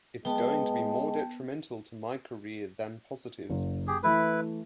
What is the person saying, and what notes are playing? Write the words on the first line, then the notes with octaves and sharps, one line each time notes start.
It's going to be more detrimental to my career than positive.
G#3 B3 G5 A5
F#1
G4 G#4
E3 A3 E4 B4